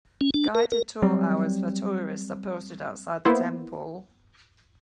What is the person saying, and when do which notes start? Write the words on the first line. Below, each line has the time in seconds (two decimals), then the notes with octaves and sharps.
Guided tour hours for tourists are posted outside the temple.
0.21 C#4
0.34 D4
0.55 A#4
0.72 A#4
1.02 F#3 G3 C4
3.25 A#3 B3 E4 C5